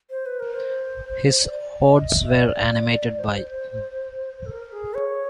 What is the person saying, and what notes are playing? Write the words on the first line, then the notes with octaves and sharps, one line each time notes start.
His odes were animated by...
C5
B4
A#4
C5
D5
D#5
E5
D5
C5
A4
A#4
G#4
C#5